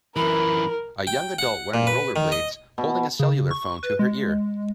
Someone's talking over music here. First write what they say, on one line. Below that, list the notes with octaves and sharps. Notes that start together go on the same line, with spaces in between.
A young adult wearing rollerblades, holding a cellular phone to her ear.
F#2 E3 A#4 B5
G5
F#5
A#2
B4
D#3
D#5
B2
C#3
C#6
B4
G#3